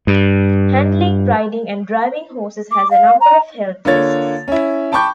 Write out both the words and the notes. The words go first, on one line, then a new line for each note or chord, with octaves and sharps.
Handling, riding, and driving horses has a number of health risks.
G2
D6
F5
A#5
D3 A#3 F4 C#5 A6
C#4 E4
G5 A5 B5 C#6 D6 G6